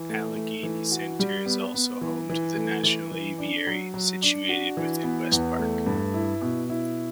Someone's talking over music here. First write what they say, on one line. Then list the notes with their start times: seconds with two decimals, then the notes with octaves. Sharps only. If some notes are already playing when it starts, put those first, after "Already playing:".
Allegheny Center is also home to the National Aviary, situated within West Park.
Already playing: E3
0.09 A3
0.36 A3
0.63 E3
0.91 F#4
1.19 G3
1.46 B3
1.74 B3
2.01 E3
2.29 E3
2.57 A3
2.83 E3
3.11 E3
3.38 D4
3.67 F#3
3.94 F#3
4.22 D4
4.49 F#4
4.77 E3
5.03 B3
5.32 E2
5.59 A3
5.87 G2
6.14 E4
6.41 B2
6.70 E4